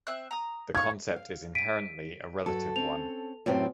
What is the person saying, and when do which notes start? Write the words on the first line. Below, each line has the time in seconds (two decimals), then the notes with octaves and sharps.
The concept is inherently a relative one.
0.07 C4 E5 F#6
0.31 A#5 D#6
0.75 F5 C#6 G#6
1.16 F5
1.55 B6 D7 D#7
2.46 G2 F#3 A4
2.76 C4 C#4 F7
3.46 F#2 A2 C3 F#3 B3 C4